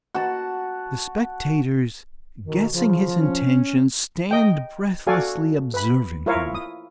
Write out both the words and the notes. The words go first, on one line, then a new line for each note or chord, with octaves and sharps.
The spectators, guessing his intention, stand breathlessly observing him.
F#4 A5
B2 D#3
C#3 F3
C#4
D#5 G5
F#4 A4 D5 F5 G#5
B4 B5
E4 F4 A#4 C#5 F5
D#6